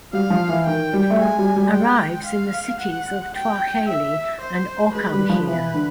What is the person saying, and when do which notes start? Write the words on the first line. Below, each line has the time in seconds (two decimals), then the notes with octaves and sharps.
Arrives in the cities of Tkvarcheli and Ochamchire.
0.13 G3 F5
0.30 F3
0.49 E3
0.66 D#3 G5
0.93 G3
1.10 A3
1.20 G#3 G#5
1.38 G3
1.56 G3
1.73 G#3 G5
2.27 F5
2.80 F#5
3.34 G5
3.88 E5
4.41 C5
4.95 G#3 B4
5.13 G3
5.29 F3
5.47 E3 B4
5.74 D3